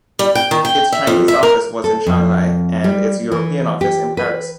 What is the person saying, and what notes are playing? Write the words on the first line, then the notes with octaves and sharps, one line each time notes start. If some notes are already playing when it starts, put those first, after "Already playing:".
Its Chinese office was in Shanghai and its European office in Paris.
G3
G5
D#3
G5
E5
F2
E5
A#4
A4
F2
G3
E3
G4
B4